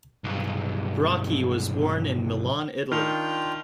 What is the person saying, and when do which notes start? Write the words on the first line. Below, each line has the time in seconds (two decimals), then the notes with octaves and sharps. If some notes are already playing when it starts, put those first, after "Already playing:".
Bracchi was born in Milan, Italy.
0.24 B1 G2
2.92 D#3 D4 F4 G5 F6 F7